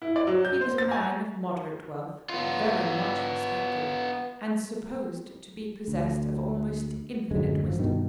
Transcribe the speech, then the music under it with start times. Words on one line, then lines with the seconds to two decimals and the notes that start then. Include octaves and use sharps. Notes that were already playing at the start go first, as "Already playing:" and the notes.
He was a man of moderate wealth, very much respected, and supposed to be possessed of almost infinite wisdom.
0.02 E4
0.16 D5
0.27 F#3
0.45 G6
0.61 C5
0.78 A6
0.91 G#5
2.30 B3 F4
5.88 D2
7.31 D1 F#2 D3 G#3
7.66 G#1 F3
7.79 G2 B2 D#3